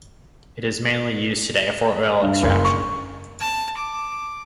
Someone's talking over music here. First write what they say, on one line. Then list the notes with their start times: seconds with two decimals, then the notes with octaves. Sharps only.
It is mainly used today for oil extraction.
2.22 G2
2.43 F#1
2.65 C#6
3.40 A5
3.77 D6